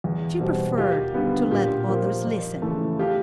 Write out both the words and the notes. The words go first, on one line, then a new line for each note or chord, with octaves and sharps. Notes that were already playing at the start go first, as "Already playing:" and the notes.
She preferred to let others listen.
E2
B2 G3 C4
D#2 F4 G4
D3 G3 B3
A#2 F4 G4
F3 A#3
F2
C#3 E3 A3
F4 G4